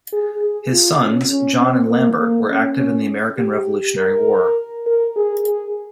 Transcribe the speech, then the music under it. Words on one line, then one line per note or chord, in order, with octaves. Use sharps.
His sons, John and Lambert were active in the American Revolutionary War.
G#4
G#4
F4
C#4
C#4
C4
A#3
A#3
C#4
C#4
G4
A#4
A#4
G#4
G#4